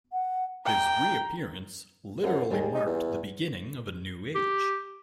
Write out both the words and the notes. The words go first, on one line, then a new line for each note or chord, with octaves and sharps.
His reappearance literally marked the beginning of a new age.
F#5
G5 A#5
F#2 F4 C5 F#5
D#2 G3 G#4
D#4
E2
G4